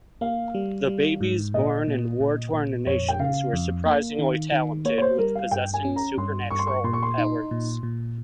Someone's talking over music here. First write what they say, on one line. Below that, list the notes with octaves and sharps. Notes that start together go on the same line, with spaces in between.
The babies born in war torn nations were surprisingly talented with possessing supernatural powers.
A#3 F5
G3
G3
G#2
A#2 D#5
A#2
A#2
A#2
F2 C#5
G5
C#3 F5
F2
A#3
D#3
D#3
A#3 C#5
C#5
C5
G3 A#4
F5
G2 G5
G#5
C#4
A#5
G2 C6
G2 C#6
C6
C#6
A#2 C6
C#6
C6
D#4
A#2
A#2